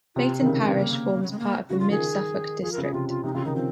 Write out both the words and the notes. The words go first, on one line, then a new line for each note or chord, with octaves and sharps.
Beyton parish forms part of the Mid Suffolk district.
C3 F4
D#3
C#3 C4
C4
C3
C#3 A#3
F#3
G#3
A#3
C#3 F#4
F3 F4
D#3 G#4
F3 G#4
A#4
C#3 G#4
C3 F4
F4
C3 D#4
C#3 F4
D#3 D#4
F3 C4